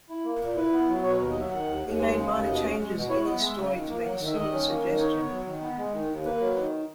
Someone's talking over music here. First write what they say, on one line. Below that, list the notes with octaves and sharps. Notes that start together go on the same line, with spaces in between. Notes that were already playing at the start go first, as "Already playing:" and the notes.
He made minor changes in his story to make a similar suggestion.
E4
A#3
A#2
E4 B4
B3
F#3
B2 C#5
B4
D#2 A#4
D#5
F#3
E5
D#3 F#5
D#2
D#2
G#3
C#3
D#2
B2 D#5
C#4
G#3
B2
E4 C#5
B3 D#5
G#3 E5
C#3
D#3
A#3
F#3 F#5
D#3
E5
D#3 D#5
C#4
A#3
D#3
D#4 C#5
B3
F#3
D#3
B3
G#3
D#3
D#2
A#3 B4
F#3
D#3